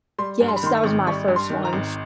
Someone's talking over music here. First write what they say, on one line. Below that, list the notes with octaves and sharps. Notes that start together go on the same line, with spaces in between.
Yes, that was my first one.
G3 C6
G2
C6
B5
D#3 C6
C#6
G#1
G3 C#6
G2
C6
D#3
A#5
G#1